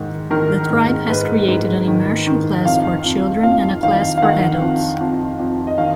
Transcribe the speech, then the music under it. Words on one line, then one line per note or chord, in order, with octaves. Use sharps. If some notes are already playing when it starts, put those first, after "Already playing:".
The tribe has created an immersion class for children and a class for adults.
Already playing: G#2 D#3
D#3 A#4
G#2
G#2 B4
G#2
D#3
D#3
F2 F5
F2
F2 F5
D#3 F5
F5
D#3 F#5
F2
F2
F2
D#5
D#3 F5